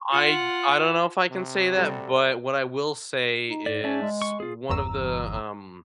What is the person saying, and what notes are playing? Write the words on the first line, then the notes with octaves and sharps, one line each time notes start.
I I don't know if I can say that, but what I will say is one of the, um
F4 F#5
C3
G3 F#4 A4
D#4
G#2 D5
C#4 D5 E5 A5
G#3
C#6
F4 G#4
G1 E2 A#5 E6